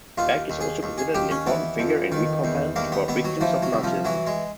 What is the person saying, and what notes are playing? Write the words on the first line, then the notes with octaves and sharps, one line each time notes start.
Beck is also considered an important figure in recompense for victims of Nazism.
D#2 F4
D#2
G#4
D#2
G#4
D#2 G4
C#4
E3 B3
F2
D#3
E2
D#2 A#3
B3
D#2 B3
F#3
E3 F3
F#3
C2
F3
E3 F#3
G#3